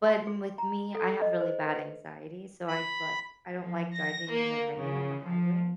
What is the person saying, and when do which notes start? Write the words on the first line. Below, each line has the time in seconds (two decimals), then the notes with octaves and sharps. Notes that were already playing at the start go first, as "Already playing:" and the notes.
but m with me, I have really bad anxiety, so, I'd like, I don't like driving in the rain on the highway.
0.06 C6
0.27 G#4
0.58 A#5
0.95 A4
1.22 D#5
1.40 C5
1.67 B4
2.68 B5
3.59 F3
3.94 A#6
4.29 A#3
4.77 C#3
5.24 F3